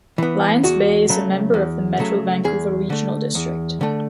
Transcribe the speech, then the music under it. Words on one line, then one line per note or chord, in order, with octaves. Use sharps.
Lions Bay is a member of the Metro Vancouver Regional District.
E3 B3
E2 F#4
C#3 F#3 A3
E2
C#3 F#3 A3
E2 G#4
D3 A3
E2
D3 A3